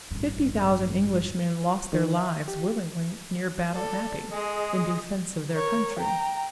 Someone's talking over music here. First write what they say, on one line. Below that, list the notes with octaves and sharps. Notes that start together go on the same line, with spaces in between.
Fifty thousand Englishmen lost their lives willingly near Battle Abbey, in defence of their country.
A1 G2
D#3
E5
G4
A4 D5
G#3 G#4 D#5 D#6
A#4 C#5
G5 A#5